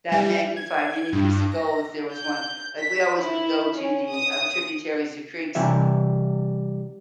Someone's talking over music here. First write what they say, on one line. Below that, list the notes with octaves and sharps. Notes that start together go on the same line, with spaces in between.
that man could find any piece of gold if there was one, like, we always would go to the, um, tributaries, the creeks,
G3
G#6
G2
A#6
G6
B6
E4
C#4
D#6
C3 E3 G3 E5